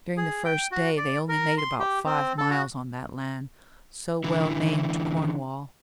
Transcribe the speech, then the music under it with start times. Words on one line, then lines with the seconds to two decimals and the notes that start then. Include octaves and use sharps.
During the first day they only made about five miles on that land, so well named Cornwall.
0.17 G#4
0.45 G5
0.71 F#4
0.97 D5
1.29 A#4
1.58 C6
1.80 G4
2.06 C4
2.38 A4
2.50 F#4
4.24 D3 E3 E4